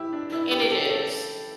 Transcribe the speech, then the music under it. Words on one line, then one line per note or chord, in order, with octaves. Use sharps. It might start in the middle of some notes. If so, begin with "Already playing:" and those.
and it is,
Already playing: E4 G4
D4
E4
G4
G4
A4
A4